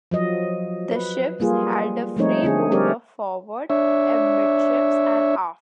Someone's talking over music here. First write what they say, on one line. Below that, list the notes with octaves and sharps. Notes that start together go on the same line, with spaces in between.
The ships had a freeboard of forward, amidships, and aft.
F3 F#3 D#5
B4
G3 A#3 F4 G#4
F3 G3 A3 C4 D#4 C#5
D3 C4 G#4
G3 C4 G4 A#4 C#5 D5
D4 C#5 E5